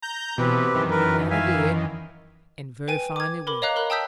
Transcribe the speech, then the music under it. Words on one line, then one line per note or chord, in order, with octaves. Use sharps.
'That I did; and very fine they were.
A#5 G6
B2 E3 C4 G4 B4
F#2 D#3 E3
A#4 B4
E5 F5 G#5
B4 G5 G#5 D#7
D6 G#6
A#4 B5 D6
C#5 D#5 F5 A#5 D6 F#6
A#4 B5 F#6
G5 A5 D#6 E6 G6 B6